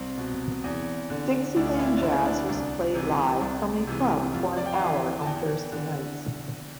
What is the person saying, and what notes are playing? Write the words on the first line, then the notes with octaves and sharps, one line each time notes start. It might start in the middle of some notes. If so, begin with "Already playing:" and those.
Dixieland Jazz was played live from a club for an hour on Thursday nights.
Already playing: C2 C4
B2
E2
D3
D2 D4
F4
E4
D4
D3 E4
D4
C2
C3 E3
C2
C3 E3
F2 F4
D5
G5
F5
E3 E5
A5
E2 G5
D3